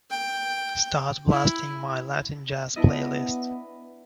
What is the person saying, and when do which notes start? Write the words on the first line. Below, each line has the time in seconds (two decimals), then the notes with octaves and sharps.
Start blasting my Latin Jazz playlist.
0.10 G5
1.30 E4
2.76 B3 D4 E4 D#5